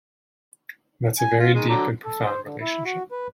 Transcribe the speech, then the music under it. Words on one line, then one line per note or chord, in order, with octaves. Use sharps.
That's a very deep and profound relationship.
G#5
F4
D#3 G#3
D3 F#3 A#5
A4
C5
D3
E4
F#4
B4